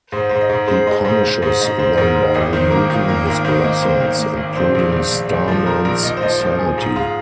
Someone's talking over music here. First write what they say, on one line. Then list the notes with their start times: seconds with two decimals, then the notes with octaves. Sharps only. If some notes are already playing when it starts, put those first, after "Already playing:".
He punishes them by removing his blessings, including Starman's sanity.
0.12 G#2 C5
0.29 G#2 C5
0.41 D#5
0.49 G#2
0.68 G#3 C5
0.87 G#3 D#5
1.04 G#2 C5
1.23 G#2 C5
1.42 G#2 C5
1.60 G#2 D#5
1.79 G#2 C5
1.97 G#2 A#4
2.16 G#3 C5
2.34 G#1 D#5
2.53 D#3 C5
2.71 A#3 A#4
2.90 D#3 F4
3.08 A#3 A#4
3.26 G#1 A#4
3.45 D#3 C5
3.64 A#3 D#5
3.82 A#3 C5
4.01 D#3
4.19 A#3
4.37 G#1
4.55 A#1 C5
4.75 A#1
4.92 A#1
5.11 A#1
5.30 A#1
5.48 F3
5.66 A#1 A#4
5.85 A#1 A#4
6.03 A#1 D#5
6.17 C5
6.22 F3 D#5
6.41 F3 C5
6.59 F3 G#4
6.78 G#2
6.96 G#3 F4